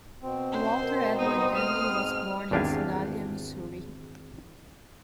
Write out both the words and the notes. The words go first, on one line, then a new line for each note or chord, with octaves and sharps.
Walter Edward Dandy was born in Sedalia, Missouri.
B2 C4
C#4 C5
A#4
B3 D#4 C5 D#6
A3 F6
G#2
G#1 E2 D4 G4 F5 G#5